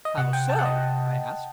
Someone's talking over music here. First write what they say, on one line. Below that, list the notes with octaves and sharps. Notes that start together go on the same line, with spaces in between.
"How so?" I asked.
D#5
C3 F#5
G5
A5
F#5
D#5